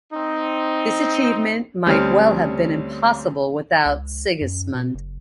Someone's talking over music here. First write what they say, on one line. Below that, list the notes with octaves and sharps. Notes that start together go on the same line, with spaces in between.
This achievement might well have been impossible without Sigismund.
C4 D#4
D2 G3 C4 C#4 C#5 F6
C#2
F#2
B2
F#1